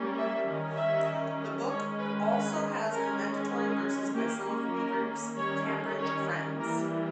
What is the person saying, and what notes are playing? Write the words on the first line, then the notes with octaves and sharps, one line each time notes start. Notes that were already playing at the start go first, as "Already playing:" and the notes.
The book also has commendatory verses by some of Weever's Cambridge friends.
Already playing: G3 A#3 C#4
E5
D#3 G3 C#4
E5
D#3 G#3 C#4 C#5
B4
B4
D#3 G#3 C#4 A#4
G#4
D#3 A#3 C#4 G4
A#4
D#3 G3 C#4 C#5
C#5
E3 G3 A#3 A#4